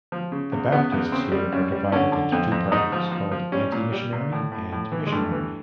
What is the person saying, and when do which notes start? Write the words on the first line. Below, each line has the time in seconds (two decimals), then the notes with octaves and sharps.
The Baptists here are divided into two parties, called Anti-missionary and Missionary.
0.12 F3
0.32 C#3
0.52 E2
0.72 C#3 B3
0.92 E2
1.12 C#3 C4
1.32 G3
1.52 F#2
1.72 G3
1.92 D3 C#4
2.12 D3
2.32 F2
2.52 F2
2.72 G#2 D#4
2.92 F3
3.12 F3
3.32 F3
3.52 G3 C#4
3.72 A#2
3.92 G3
4.13 A#2
4.32 A2
4.52 A2
4.72 A2
4.92 E3
5.07 G#3
5.12 G2 A3
5.32 E3